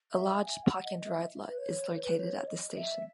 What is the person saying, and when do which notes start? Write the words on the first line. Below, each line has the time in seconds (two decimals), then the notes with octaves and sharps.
A large park and ride lot is located at this station.
0.11 E5
0.40 G#5
0.63 F#5
0.85 D#5
1.07 E5
1.48 B4
1.58 C#5
1.88 B4
1.95 C#5
2.02 B4
2.17 C#5
2.47 D#5
2.76 E5